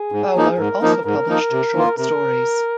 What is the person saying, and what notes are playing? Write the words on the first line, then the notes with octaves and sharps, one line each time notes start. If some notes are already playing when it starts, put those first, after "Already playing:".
Fowler also published short stories.
Already playing: G#4
G#2
F3 A#3 D#4
G#2 A#4
F3 A#3 D#4
G#2 A#4
F3 A#3 D#4
C3
D#3 A#3 F4
C3 A#4